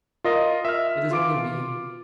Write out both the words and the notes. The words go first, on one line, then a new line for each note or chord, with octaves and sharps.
"It is only me."
F4 A#4 D#5
E5 F6
F4 D6 D7